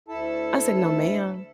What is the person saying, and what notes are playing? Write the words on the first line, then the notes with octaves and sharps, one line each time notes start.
I said, "No, ma'am."
D2 E4 A4 A5